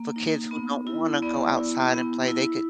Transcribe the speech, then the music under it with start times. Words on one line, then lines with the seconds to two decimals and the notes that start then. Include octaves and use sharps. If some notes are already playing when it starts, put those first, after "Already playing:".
for kids who don't want to go outside and play, they could
Already playing: A#3
0.16 D#4
0.51 B3
0.87 E4
1.22 B3 D5
1.57 E4
1.93 B3
2.28 E4